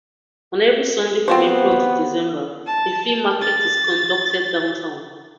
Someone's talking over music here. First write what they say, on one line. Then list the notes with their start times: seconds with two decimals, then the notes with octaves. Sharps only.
On every Sunday from April to December, a flea market is conducted downtown.
1.28 B3 C4 F4 C5
2.67 A5
3.41 A6